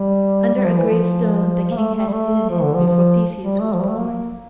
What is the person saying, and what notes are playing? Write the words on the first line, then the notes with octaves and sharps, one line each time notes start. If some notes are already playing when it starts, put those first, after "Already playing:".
Under a great stone the king had hidden it before Theseus was born.
Already playing: G3
G3
F3
E3
F3
A#3
A3
A3
G3
A3
F3
D3
F3
F3
G3
A3
F3
G3
A3
A#3